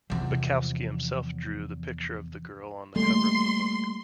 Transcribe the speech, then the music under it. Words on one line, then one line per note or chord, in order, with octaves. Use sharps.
Bukowski himself drew the picture of the girl on the cover of the book.
E2 C3 F3
G3 A3 A#3 C6